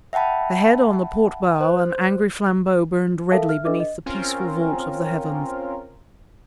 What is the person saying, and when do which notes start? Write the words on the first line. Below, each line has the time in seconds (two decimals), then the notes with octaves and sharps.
Ahead, on the port bow, an angry flambeau burned redly beneath the peaceful vault of the heavens.
0.13 E5 F#5 G5 A5 B5
1.61 C5
3.32 A4 A#4 E5 F5 A5
3.48 E5 F6
3.65 D4 A4 B4 D#5 E5 D6
3.80 D#5
4.06 C4 C#4 F4 A#4